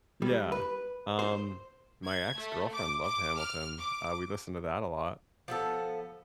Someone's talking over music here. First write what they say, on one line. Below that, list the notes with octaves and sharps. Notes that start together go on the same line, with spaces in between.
Yeah, um, my ex girlfriend loved Hamilton. Uh, we listened to that a lot.
G3
B4
C5
G#6
A3
D6
D6
F6
D6
F3 B3 A4